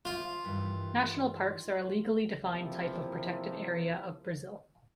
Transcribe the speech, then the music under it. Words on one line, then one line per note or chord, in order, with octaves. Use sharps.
National parks are a legally-defined type of protected area of Brazil.
F4 C5 E5 F5
G2 D#3 E3
E2 C3 F3 A#3 E4 F4